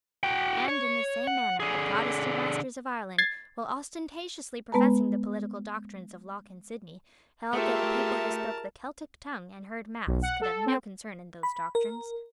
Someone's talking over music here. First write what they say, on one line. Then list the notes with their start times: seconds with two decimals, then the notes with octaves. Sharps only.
And, in the same manner, the Protestant masters of Ireland, while ostentatiously professing the political doctrines of Locke and Sidney, held that a people who spoke the Celtic tongue and heard mass could have no concern in those doctrines.
0.23 F#4 G5
0.68 C#5
1.27 F#5
1.60 D3 G#4
3.18 G#6 A6 C7
4.72 G#3 B3 B4 A5 A#5
7.53 A3 F4 G4 G#4 A#4 E5 A5
10.07 B1
10.22 F#5
10.41 A4
10.66 C4
11.43 B5
11.75 A#4